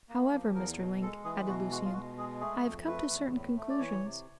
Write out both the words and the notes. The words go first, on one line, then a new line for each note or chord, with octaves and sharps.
However, Mr. Link," added Lucian, "I have come to certain conclusions.
A#3
F3
E2 A#4
B2
G#3 A4
E3 G#4
B2 F#4
G#3 F#4
F4
B2 F#4
G#3 G#4
A3 G#4
F2
A3 B4
E2
A2
A3
D5
E3 C#5
C3